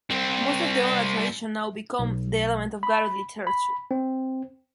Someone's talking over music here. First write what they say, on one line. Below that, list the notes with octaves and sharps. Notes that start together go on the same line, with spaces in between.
Most of the oral tradition now become the element of Garo literature.
C2 C4
B1
B5
B5
C4